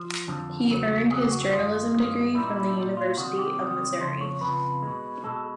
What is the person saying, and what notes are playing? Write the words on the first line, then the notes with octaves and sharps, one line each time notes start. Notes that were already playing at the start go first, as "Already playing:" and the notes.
He earned his journalism degree from the University of Missouri.
Already playing: F3
F2 D3 F3
E2 C#3 F#3
E2 C#3 F#3 G#4
G4
F#4
F#4
G2 D#3 G#3 F4
G2 D#3 G#3
A#2 G3 E4
D#4
E4
D4
A#2 G3 D#4
F4
C3 D#3 G3 F#4
G4
C3 D#3 G3
F2 C#3 F3 C5
C#5
F2 C#3 F3 B4
B2 G#3
B2 G#3 A4